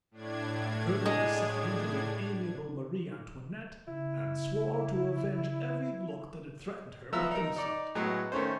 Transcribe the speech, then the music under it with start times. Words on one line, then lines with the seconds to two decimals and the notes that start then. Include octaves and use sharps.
I heard of the sufferings of the amiable Marie Antoinette, and swore to avenge every look that had threatened her with insult.
0.11 A2 D4 G#6
1.06 G#3
3.87 C#3 E4
7.13 F3 B3 E5 A#5 E6
7.31 D#4 A#4
7.56 D#4 D5
7.95 A2 F#3 G#3 B3
8.32 D#3 A3 C#4 C5